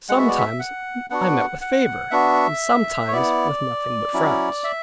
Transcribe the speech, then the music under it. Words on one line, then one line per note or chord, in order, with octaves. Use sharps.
Sometimes I met with favor, and sometimes with nothing but frowns.
G#3 B3 F#4 F#5
E5
D5
E5
F#5
B3 D4 F#4 F#5
F#5
B3 D4 F#4 E5
C#5
B3 E4 D5
F#3 C#4 E4
E5